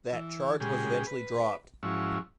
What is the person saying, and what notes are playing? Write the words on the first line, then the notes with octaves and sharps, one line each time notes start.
That charge was eventually dropped.
E3
A#2 C#3 G#3 G4 G#4
B4
G#2 F3 F#3 C#4 E4